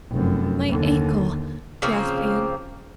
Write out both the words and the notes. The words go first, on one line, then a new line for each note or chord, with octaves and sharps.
"My ankle," gasped Anne.
F1 F#2
D#2 D3
C#3 F3 A#3 C4